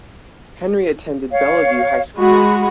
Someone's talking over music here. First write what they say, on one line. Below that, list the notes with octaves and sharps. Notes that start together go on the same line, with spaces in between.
Henry attended Bellevue High School.
C#5 F5
G#3 F#4 B5